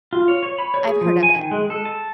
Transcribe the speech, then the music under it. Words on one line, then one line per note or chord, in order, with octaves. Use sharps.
I've heard of it.
F4
C#5
C#5
B5
C#5
G#4
F3
G#5
D#3
G#3
A4
A5